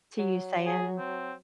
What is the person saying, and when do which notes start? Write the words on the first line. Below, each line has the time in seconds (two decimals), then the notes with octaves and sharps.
to you saying,
0.19 F#3
0.66 G#4
0.98 C4